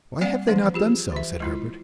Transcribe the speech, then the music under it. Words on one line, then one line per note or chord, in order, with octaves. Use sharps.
"Why have they not done so?" said Herbert.
G3 A#3 C4 D5 F5 F#5
E3 F3 A#3 D4
F4 G4 G#4
E3 E5
G#3 E4 F4